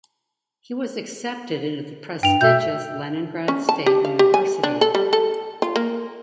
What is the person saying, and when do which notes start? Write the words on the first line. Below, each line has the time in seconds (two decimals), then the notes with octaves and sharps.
He was accepted into the prestigious Leningrad State University.
2.23 G2 G5 F7
2.41 B2 E5 G6
3.48 C#4
3.69 A5
3.86 G4
4.05 F5
4.19 G4
4.34 G#5
4.63 D4
4.81 A4
4.95 G3
5.13 A4
5.62 F4
5.76 A#3